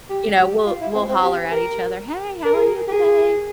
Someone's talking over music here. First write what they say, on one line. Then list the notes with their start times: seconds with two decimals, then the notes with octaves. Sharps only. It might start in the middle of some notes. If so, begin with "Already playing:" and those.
you know, we'll we'll holler at each other, "Hey, how are you today?"
0.10 G4
0.38 G4
0.67 F4
0.81 E4
0.95 C4
1.10 C4
1.23 G4
1.52 A#4
2.45 A#4
2.55 G#4
2.64 A#4
2.88 G4
2.92 G#4